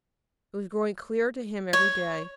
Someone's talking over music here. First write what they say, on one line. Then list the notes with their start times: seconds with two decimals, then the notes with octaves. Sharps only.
It was growing clearer to him every day.
1.73 C#5